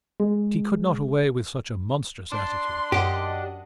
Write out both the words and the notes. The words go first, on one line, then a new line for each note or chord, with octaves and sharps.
But he could not away with such a monstrous attitude.
G#3
D4 C6
F#2 G4 D#5 F#5